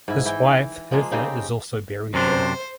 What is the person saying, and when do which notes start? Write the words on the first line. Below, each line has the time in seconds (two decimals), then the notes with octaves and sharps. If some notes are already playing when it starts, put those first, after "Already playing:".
His wife Hertha is also buried here.
0.08 G#2 E4
0.25 E3 E4 G5
0.91 F3 G#3 A#3
1.11 C#3 C4 D#4 G4
2.14 F#2 C3 D4 C5